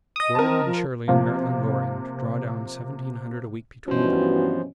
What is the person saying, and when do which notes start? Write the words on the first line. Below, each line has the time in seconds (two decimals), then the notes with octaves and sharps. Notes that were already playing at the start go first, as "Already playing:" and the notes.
Gordon and Shirley and Marilyn Loring draw down seventeen hundred a week between them.
0.16 D#5 D#6
0.35 C4 A#4 A5
0.65 F3
1.08 C3 F3 A#3
3.88 G2 B2 E3 F3 C4 C#4 F#4 C5